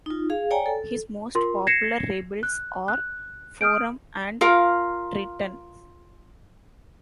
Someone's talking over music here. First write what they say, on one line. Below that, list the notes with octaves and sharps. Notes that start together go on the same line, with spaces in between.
His most popular labels are "Forum" and "Triton".
D#4 F4
G#4 F5
C#5 D5 G5 G#5 A#5
A4
F4 A#4 C6
G#6 A#6 C7 C#7 E7
F#6
F#6
D#6 F6 G6 D7
F4 A#4 F5